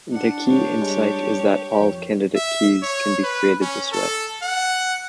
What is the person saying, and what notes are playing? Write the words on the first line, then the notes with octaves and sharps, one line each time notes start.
The key insight is that all candidate keys can be created this way.
D4 F#5
G4 C#5
G3 G#3
F2
E5
C#5
B4
C#4
A4
F#5